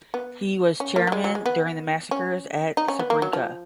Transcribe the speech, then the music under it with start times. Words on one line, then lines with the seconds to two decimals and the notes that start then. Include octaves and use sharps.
He was chairman during the massacres at Srebrenica.
0.14 B3
0.80 C#4
0.96 A#3
1.07 F#3
1.12 G#3
1.24 F#3
1.35 G#3
1.46 B3
2.11 C#4
2.77 D#4
2.88 C#4
2.99 B3
3.10 A#3
3.22 F#3
3.33 F3